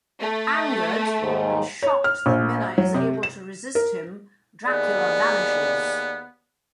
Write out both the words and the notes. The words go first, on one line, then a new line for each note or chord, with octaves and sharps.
Angered, and shocked that Mina is able to resist him, Dracula vanishes.
A3
D#2 G#2
C#5
F6
A#1
F#3
C3
E7
A#4
D#2 B3 G#4 D5